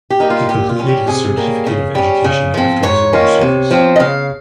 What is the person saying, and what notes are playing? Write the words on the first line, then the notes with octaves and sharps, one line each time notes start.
He completed his Certificate of Education after his war service.
G4
G3 A#3 D#4
F4
A#2 G4
F4
G3 C#4
G4
C3 G#4
G3 A#3 C#4
C#3
G3 C#4
C#3
F3 C4
G#2 C#5
D#3 A#3 C#4 F4
C3
F3 C4
D#5
C#3 F5